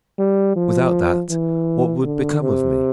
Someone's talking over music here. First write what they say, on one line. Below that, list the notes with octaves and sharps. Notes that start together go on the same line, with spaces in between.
"Without that, what would become of me?"
G3
F3
E3
D3
C3